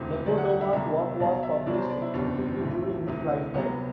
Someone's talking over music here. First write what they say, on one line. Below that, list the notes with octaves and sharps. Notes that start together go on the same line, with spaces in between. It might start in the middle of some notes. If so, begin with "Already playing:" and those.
Nechodoma's work was published extensively during his lifetime.
Already playing: E1 D2 C3 E3 C5
D2 D3 F#3 D5
F#5
F#5
E5
C2 B2 F#3 E5
B1 B2 F#3 D5
E5
C2 B2 F#3 D5
C5
D5
E4
F#1 E2 B2 D4
C4
C4
C4
B1 A2 E3
D2 C3 E3
C2 C3 F#3 B3